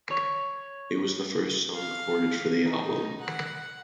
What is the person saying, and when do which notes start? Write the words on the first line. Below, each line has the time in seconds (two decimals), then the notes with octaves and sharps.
It was the first song recorded for the album.
0.11 C#5
1.74 F5
2.64 D#4
3.21 F#5